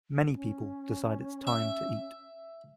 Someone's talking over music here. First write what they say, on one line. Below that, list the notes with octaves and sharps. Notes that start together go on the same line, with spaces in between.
Many people decide it 's time to eat.
C#4
E5